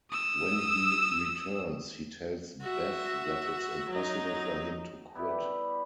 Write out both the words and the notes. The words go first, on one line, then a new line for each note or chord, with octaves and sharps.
When he returns, he tells Bev that it's impossible for him to quit.
D#6 E6
F#4 E5
F#3 D#4
G3 B3 E4 G4